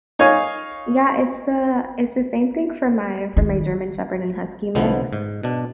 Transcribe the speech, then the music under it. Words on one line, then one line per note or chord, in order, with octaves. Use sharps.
Yeah, it's the it's the same thing for my for my German Shepherd and Husky mix,
D#4 C#5 F5 G#5
D#3
C2 D3 D#3 F3 B3
G#2
B2 D4